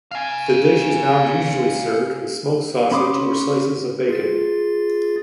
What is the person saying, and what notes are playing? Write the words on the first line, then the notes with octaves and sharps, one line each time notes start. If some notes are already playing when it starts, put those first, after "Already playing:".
The dish is now usually served with smoked sausage or slices of bacon.
F5 G#5
C#4 B5 C6 D6 D#6
F4 G#4 A6